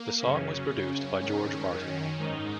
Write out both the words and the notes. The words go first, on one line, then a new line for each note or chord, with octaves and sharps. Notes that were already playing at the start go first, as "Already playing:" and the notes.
The song was produced by George Martin.
Already playing: A#3
F#2 C#3 C#4
F#2 C#3
G#2 D#3 C#4
F#2 D#3
G#2 D#3 D#4